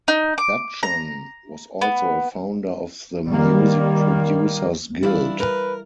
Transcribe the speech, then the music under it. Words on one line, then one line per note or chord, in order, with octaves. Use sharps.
Dudgeon was also a founder of the Music Producers Guild.
D#4
D6
A#5
B3
D#3 G3 A#3
E3 G3 D4 E4 F5
A#4 B4